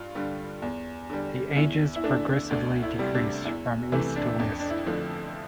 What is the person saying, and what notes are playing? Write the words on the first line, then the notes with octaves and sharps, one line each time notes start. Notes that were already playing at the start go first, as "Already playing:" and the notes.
The ages progressively decrease from east to west.
Already playing: G2 F4
D3 G3
E2
D3 G3
E2 E4
E4
D3 A3 D4
D2 D4
E4
C3 G3
D4
E2 E4
C3 E3 A3 E4
D4
F2 D4
D4
E4
D3 F3 A3